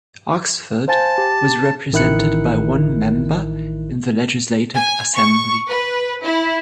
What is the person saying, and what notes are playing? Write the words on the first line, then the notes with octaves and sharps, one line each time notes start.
Oxford was represented by one member in the Legislative Assembly.
C5 F5 G#5 A5
G4
A1 D#3 E4 F#6 C#7
G#5
C#6
B4
E4